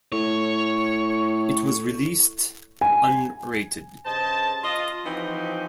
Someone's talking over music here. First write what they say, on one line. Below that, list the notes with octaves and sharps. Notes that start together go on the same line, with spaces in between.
It was released unrated.
A2 C#5
G#5
G2 C#3 C5 D#5 A5
F4 D#5
E3 F3 C4 D#4 F#4 G4